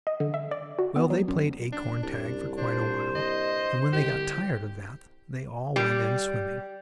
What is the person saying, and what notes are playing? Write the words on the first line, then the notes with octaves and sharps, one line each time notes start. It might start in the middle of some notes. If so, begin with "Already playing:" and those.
Well, they played acorn tag for quite a while, and, when they got tired of that they all went in swimming.
D#5
D3
E5
D5
F#4
B3
F#3
F#2
F#1 D4
C2 F#2 D4
A#2 D4 C5
G2 D#5
C2 D3 G4
G3